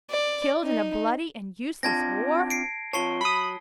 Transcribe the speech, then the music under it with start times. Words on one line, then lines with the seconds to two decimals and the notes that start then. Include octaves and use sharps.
Killed in a bloody and useless war!
0.10 D5
0.65 D#4
1.83 C4 D4 F4 A5 G#6 A#6
2.50 C7 D7
2.93 F2 F4 C#5 A5 C7 G7
3.21 F#3 B5 D#6